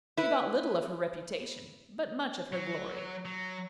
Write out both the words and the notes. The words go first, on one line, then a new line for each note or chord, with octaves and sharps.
She thought little of her reputation, but much of her glory.
E4 B4
F#3
F#3